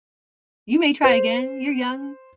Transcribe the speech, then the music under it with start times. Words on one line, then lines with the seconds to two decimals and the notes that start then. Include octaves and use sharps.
You may try again, you're young.
1.04 C5